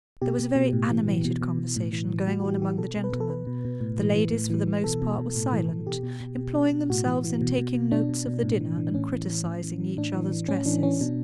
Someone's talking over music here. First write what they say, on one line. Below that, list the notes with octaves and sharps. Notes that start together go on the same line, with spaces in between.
There was a very animated conversation going on among the gentlemen; the ladies, for the most part, were silent, employing themselves in taking notes of the dinner and criticising each other's dresses.
B2 G4
B2
B2
A2
E3
E3
B2
B2
B2
A2
E3
E3
A2 F#4
F#4
E3 G4
E3 G4
B2 A4
B2
B4
B2
A4
B2 B4
B2
B2
A2
E3
E3
A2
E3
E3
B2 A4
B2
B2
A2
E3
E3
B2 G4
B2
B2
B2
B2
B2
A2 F#4
E3
E3
B2
B2
B2
B2 D4
B2
B2
A2
E3
E3
A2 C#4
E3
E3
A2
E3
E3
A2 D4
E3
E3
A2 C#4
E3 D4
E3 C#4
B2 D4